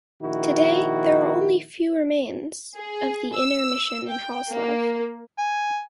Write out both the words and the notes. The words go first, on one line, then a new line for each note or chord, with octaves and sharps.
Today, there are only few remains of the Inner Mission in Haslev.
A#1 D#3 E4 F#4
G#4
E6
G5
A#3
G#5